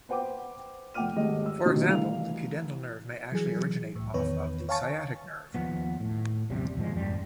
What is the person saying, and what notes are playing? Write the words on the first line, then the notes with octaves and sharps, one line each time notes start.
For example, the pudendal nerve may actually originate off of the sciatic nerve.
B4 C5 F#5 G5 D6
F1 F#5 G5 D6 F6 D#7
G#1 D#2 G#3 A3 D#5
E6
D#2 B2 D#3 F#3 A3 D4
C2 E3 A3 F5 F7
E3 F#3 G#4
C2 A2
E2 D#3 B3 B4 C#5
C#5 F5 G#5 A5 C#6 A6
D#2 F3 B3
A2
A#1 E2 C3 G3
D#2 G#2 F3 G#3
A1 F#2 A#2 G3